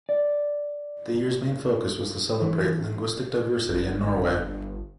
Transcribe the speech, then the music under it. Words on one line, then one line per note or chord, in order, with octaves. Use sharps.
The year's main focus was to celebrate linguistic diversity in Norway.
D5
E3
G1